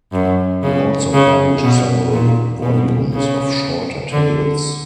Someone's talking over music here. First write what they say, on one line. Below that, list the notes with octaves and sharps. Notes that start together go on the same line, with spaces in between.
He also published several volumes of shorter tales.
F#2
C#3
C#3
B2
A#2
B2
C#3
D3